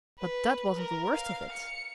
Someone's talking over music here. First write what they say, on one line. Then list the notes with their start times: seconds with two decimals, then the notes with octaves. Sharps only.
But that wasn't the worst of it!
0.19 B4
0.77 A#4
1.14 F5
1.52 C#7